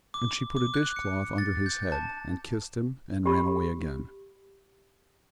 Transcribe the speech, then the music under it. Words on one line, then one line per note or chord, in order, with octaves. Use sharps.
And she put a dish-cloth under his head, and kissed him, and ran away again.
D6
D6
F#6
C#7
A6
G6
A5
G4 B5